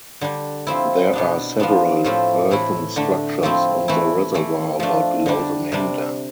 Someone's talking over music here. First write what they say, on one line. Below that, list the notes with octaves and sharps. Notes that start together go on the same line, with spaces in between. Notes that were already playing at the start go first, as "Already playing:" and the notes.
There are several earthen structures on the reservoir about below the main dam.
D3 G3 D4
F3 C4 E4
B2 B3 D4
F3 B3 D4
A2 F3 A3 C4 E4
A2 E3 A3 E4
D3 A3 D4
F3 A3 C4 E4
E3 A3 E4
E3 A3 E4
F3 A3 D4
D3 G3 D4
C3 G3 D4